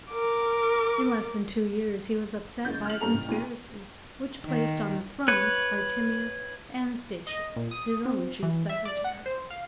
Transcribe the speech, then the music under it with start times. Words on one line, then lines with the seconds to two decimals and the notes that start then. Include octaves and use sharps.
In less than two years he was upset by a conspiracy which placed on the throne Artemius Anastasius, his own chief secretary.
0.10 A#4 D6
2.65 F#1 G6 A6
2.85 F6 F#7
3.00 G2 A#3 B3 A4 A#5 F7
3.14 A1
3.28 D#2 B2 D#7
4.45 D#3
5.28 B4 C#5
7.27 D#5
7.56 A#2
7.71 D#6
8.05 C4
8.43 E3
8.69 E5
8.85 D5
9.04 F#5
9.26 C5
9.50 F5